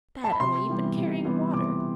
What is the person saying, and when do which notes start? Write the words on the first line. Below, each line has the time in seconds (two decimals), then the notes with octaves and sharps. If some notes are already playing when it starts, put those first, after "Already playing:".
Bad Emily, you've been carrying water.
0.24 A5
0.32 B5
0.40 C3 C6
0.69 E3 G3 B3
0.97 C3
1.25 E3 G3 B3
1.53 C3 D6